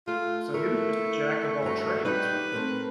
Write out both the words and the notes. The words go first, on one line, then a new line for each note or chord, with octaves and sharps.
So he was just a jack-of-all-trades, wasn't he?
A3 F4
A3 E4 A#4
G2 F#4 A#5
G3 D#4 B4 G5
A3 C4 A#4